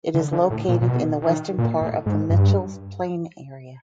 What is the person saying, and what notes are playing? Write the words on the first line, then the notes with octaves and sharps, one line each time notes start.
It is located in the western part of the Mitchells Plain area.
D3
D3
A2
A#2
A#2
B2
D#3
A#2
A2
G#2
G2